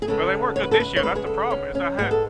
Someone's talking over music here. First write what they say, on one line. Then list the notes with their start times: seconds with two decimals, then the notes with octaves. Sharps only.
Well, they weren't good this year, and that's the problem is I had
0.02 G#4
0.08 C#3 G#3 B3 A4
0.56 C#5
0.63 B4
0.71 A4
0.80 B4
0.96 C#5
1.03 C#3 G#3 B3 B4
1.15 G#4
1.27 A4
1.51 C#4
1.75 C#4
1.97 G#2 G#3 B3 G#4
2.11 A4